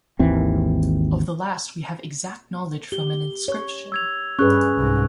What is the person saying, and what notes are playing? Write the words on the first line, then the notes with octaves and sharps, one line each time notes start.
Of the last we have exact knowledge from an inscription.
G#1 D#2 E3 C4
G4 G7
C#5
E6 G#6 F7
G2 C#4 G#4 B4 C#6 F#6
C2 G#2